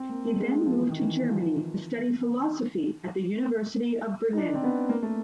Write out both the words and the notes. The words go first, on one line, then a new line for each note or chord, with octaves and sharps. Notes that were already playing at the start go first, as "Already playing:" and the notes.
He then moved to Germany, to study philosophy at the University of Berlin.
Already playing: C4
A#3
A3
G#3
F3
E3
D#3
E3
F3
D#4
D4
C4
B3
A#3
A3